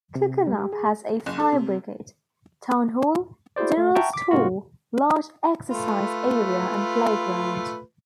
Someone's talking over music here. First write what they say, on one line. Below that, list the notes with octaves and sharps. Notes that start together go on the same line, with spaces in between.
Cookernup has a Fire Brigade, Town Hall, General Store, large exercise area and playground.
C3
G3
G4
G#4
F#1
A4
C3
E4 F#4 G#4 C5 D5
A3
E5 F#5 G5 A5 A#5 C#6
D6 B6
G#2 C3 A#3 F4 F#4
A3 F4 B4